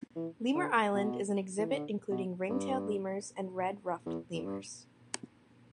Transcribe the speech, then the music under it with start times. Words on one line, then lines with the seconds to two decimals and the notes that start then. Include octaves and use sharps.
"Lemur Island" is an exhibit including ring-tailed lemurs and red-ruffed lemurs.
0.16 E3
0.55 D3
0.95 B2
1.59 E3
1.72 D3
2.11 B2
2.50 G2
4.06 E2
4.34 E2
4.45 G2